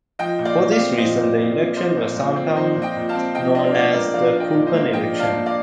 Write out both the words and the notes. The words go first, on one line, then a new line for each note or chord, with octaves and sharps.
For this reason the election was sometimes known as the coupon election.
F3 D#5 G5
A#2
D5 F5
A#2
D5 F5
C4
F3 C5 D#5
A#2
A#2
C4
F3 C5 D#5
A#2
A#2
C4
F3 C5 D#5
A#2
D#5 G5
A#2
F5 A5
C4
F3 D#5 G5
D4 C5 D#5
A#2 D5 F5
A#3 A#4 D5
F3 D5 F5
D4
D#5 G5
A#2
C5 D#5
A#3
F3 D#5 G5
D4
F5 A5
A#2
D5 F5